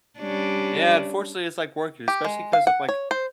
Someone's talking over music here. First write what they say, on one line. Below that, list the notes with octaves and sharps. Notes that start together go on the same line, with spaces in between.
Yeah, unfortunately, it's, like, working, especially 'cause of, like,
G3 C#4 D4
G4
G#3
F5
F#5
C#5
C5